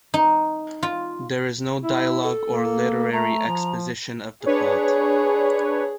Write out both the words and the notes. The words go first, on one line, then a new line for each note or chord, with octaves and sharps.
There is no dialogue or literary exposition of the plot.
D#4
F4
E4
A4
A#3
A3 A#5
F3
D4 G#4 B4 C#5